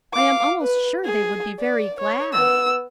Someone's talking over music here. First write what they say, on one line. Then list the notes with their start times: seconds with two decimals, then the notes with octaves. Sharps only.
"I am almost sure they would be very glad."
0.14 F5 D6
0.62 B4
1.04 G#4
1.60 D5
1.99 C#5
2.33 B3 E6